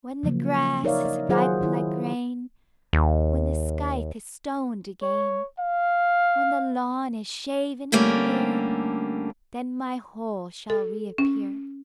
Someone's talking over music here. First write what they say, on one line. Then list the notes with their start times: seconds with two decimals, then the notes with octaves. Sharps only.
When the grass is ripe like grain, When the scythe is stoned again, When the lawn is shaven clear, Then my hole shall reappear.
0.23 C#3 F3 F#3 A#3
0.84 D#4 A#4 C#5 D5 E5 F5
1.05 D#5
1.29 D#3 F#3 F4 G#4 C5 F#5
1.61 D#3 E4
2.93 D#2
5.02 C#5
5.59 F5
7.92 D3 G3 A3 A#3 C#4
10.70 A4
11.18 C#4